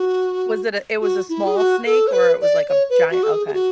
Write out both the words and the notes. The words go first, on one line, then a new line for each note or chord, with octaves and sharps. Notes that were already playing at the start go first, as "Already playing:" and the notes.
Was it a it was a small snake or it was like a giant Okay.
Already playing: F#4
F#4
E4
G#4
F#4
A4
C#5
B4
D5
C#5
B4
F#4
A4
G#4
G#4
F#4